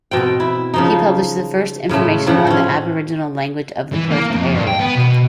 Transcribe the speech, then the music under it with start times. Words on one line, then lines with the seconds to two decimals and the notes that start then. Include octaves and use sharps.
He published the first information on the Aboriginal language of the Perth area.
0.11 B2 C4 G5
0.40 E4
0.74 C#3 F3 D#4
1.89 A2 C#3 G#3 A3
2.26 A2 C#3 F3 F#5
2.47 C4 C#4
3.93 E3
4.11 A#3
4.31 F2
4.55 G2
4.67 G5
4.80 B3
4.95 B2